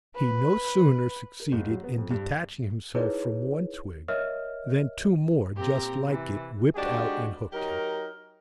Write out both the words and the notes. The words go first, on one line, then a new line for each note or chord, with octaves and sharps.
He no sooner succeeded in detaching himself from one twig, than two more just like it whipped out and hooked him.
B4
A#4
F#1
F#3
B3
F2
G2
D#4 E4 G#4 B4 C#5
A#4 C#5 D#5 E5 F6
A#2 C4 G4 A#5
C3 E3
G#2 D3 G#3 D4 F#4 G4
F#3 D#4 G4 A#4